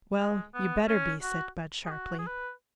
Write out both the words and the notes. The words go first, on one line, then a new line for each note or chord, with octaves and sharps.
"Well, you better be," said Budd sharply.
G#3
B3
C#4
F#4
G#4
F#4
G#4
B4